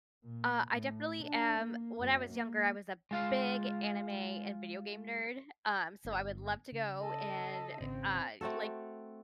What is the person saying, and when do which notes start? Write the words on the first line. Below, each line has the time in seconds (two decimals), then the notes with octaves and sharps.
Uh, I definitely am When I was younger, I was a big anime and video game nerd, um, so I would love to go and, uh, like,
0.24 A#2
0.69 A2
1.24 D4
1.59 A#3
1.98 F#2
2.33 A#3
3.11 G#3 F4 F5
6.05 G1 G2
6.72 C#3
7.02 A4 D#5
7.80 G#1 C#3 C4
8.41 A3 C4 F#4 A4